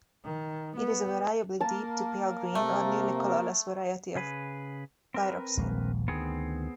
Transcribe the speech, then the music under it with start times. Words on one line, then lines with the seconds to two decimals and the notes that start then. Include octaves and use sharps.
It is a variably deep to pale green or nearly colorless variety of pyroxene.
0.24 D#3
0.77 B3
1.61 A#3 A#4 A5
2.55 C3 A3
4.15 C#3 G#4 B4
5.14 C4 A#4 B4
5.57 D#1 A#1 G#3
6.08 D2 D#3 B3 C4 G#4